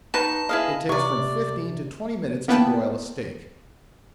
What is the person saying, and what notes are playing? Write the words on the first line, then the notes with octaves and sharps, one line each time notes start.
It takes from fifteen to twenty minutes to broil a steak.
B3 D#4 F#4 B4 A5
E4 G#4 B4 D#5 F5
C3 F#3 B3 D5 C#6
A#3 B3 E4 B4 G5 A5